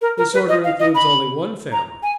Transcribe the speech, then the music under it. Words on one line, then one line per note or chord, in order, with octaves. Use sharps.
This order includes only one family.
A#4
A#4
B4
D#5
F5
D#5
B5
A#5
G#5